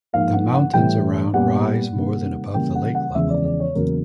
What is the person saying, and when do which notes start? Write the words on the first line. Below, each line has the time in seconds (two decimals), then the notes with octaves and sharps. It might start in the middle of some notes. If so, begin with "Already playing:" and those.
The mountains around rise more than above the lake level.
0.13 G#2 F3 A#3 F5
0.33 F#5
0.53 F#5
0.73 A2 E3 G3 G5
1.33 A#2 G3 B3 F#5
1.94 C3 D#3 G3 A#3
2.54 C#3 E3 G3 A#3 G5
2.75 F#5
2.95 F#5
3.15 E2 C#3 F3 G#3 E5
3.30 D5
3.45 D5
3.60 C#5
3.75 E2 C#3 F#3 A#3 A#4